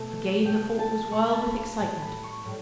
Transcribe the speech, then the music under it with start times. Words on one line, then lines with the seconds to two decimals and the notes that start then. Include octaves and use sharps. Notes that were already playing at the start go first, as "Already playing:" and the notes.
Again the fort was wild with excitement.
Already playing: B2 A3
0.45 B2 A3 G5
0.79 A5
1.12 B2 A3 C#6
1.22 B5
1.32 A5
1.42 B5
1.79 A2 G3 A5
2.01 B5
2.23 C#6
2.45 A2 G3